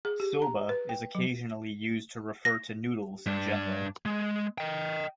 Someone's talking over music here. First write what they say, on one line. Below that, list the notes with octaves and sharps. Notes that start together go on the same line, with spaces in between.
"Soba" is occasionally used to refer to noodles in general.
G#4
G4
A#5
B4
G5
F#3
A#6
G2 D4
G#3
D#5 G5